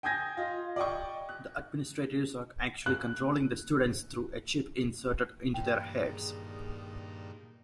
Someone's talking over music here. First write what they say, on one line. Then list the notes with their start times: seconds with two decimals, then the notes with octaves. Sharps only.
The administrators are actually controlling the students through a chip inserted into their heads.
0.03 G5 G#5 D#6 G6 G#6 A#6
0.37 F4 D#5
0.76 D5 D#5 G5 C#6
1.29 F#6
2.86 F#6
5.54 G2 A#2 E3 G5
6.05 G2 A#2 D#3 G#4